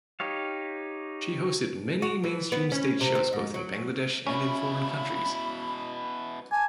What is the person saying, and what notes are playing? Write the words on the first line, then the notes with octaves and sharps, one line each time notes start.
She hosted many mainstream stage shows both in Bangladesh and in foreign countries.
D#4 G4 C#5 F5
F#4
E3
B3
C#4
C3
C4
G#2
F#3
B2 C#4 E4 B5
G#5 A5 D6